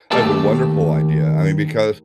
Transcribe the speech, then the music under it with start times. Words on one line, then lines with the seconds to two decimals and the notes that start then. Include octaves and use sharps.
That's a wonderful idea, I mean, because
0.11 D#2 A3 G4 E5 G5 A5